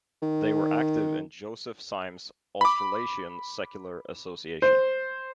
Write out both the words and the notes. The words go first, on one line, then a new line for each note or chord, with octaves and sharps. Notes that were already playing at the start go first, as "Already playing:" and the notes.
They were active in Joseph Symes's Australasian Secular Association.
D#3
B5 D6
C5